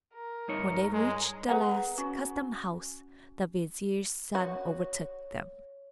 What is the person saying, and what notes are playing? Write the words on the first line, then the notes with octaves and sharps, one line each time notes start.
When they reached the last custom-house the vizier's son overtook them.
A#4
G2 D#4 C#5
G#3
G#4 B4 F#5 A#5
C#4 F#4
F#4 C#5